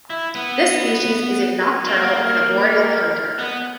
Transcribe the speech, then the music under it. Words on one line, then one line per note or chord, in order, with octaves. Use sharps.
This species is a nocturnal and arboreal hunter.
E4
B3
A#3
B3